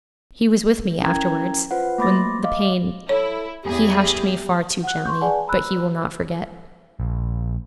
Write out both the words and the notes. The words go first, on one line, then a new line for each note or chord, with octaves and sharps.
He was with me afterwards, when the pain--He hushed me far too gently, but he will not forget.
C#4 E4 A#4 G5 A#5 G#6
F4 B4 C5 F#5
A3 A#3 B5 D6 A6 A#6
C6
D#5 F5 D6
E4 A4 C#5
E2 G4 G#4
F#5 F#6
C6 C#6 G6
G#4 B4 D5 F#5 G#5 A5
A#5 B5 E6 F#6
A#1